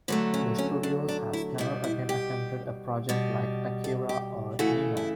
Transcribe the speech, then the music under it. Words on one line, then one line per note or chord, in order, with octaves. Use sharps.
The studios has never again attempted a project like "Akira" or "Nemo".
D3 F#3 A3 B3
C#4
C#4
D4
D4
E4
B2 G3 E4
E4
G4
B2 G3
A4
G4
C#3 E3 A3 F#4
E4